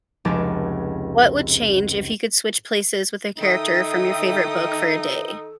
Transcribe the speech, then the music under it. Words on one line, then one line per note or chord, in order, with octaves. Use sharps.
what would change if you could switch places with a character from your favorite book for a day?
F1 C#2 A5 D6 A6
D#3 D#4 A4 E5 G5 D#6